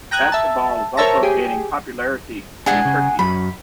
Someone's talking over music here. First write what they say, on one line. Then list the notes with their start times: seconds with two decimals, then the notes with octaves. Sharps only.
Basketball is also gaining popularity in Turkey.
0.11 G5 A#5 D#6 F#6 G#6
0.32 E5 A5
0.97 A#4 C5 C#5 E5 A5 A#5
1.23 G4 G#4
2.66 G#3 D4 G#4 F#5 G#5
2.85 C#3
3.19 F#2 F#3 B5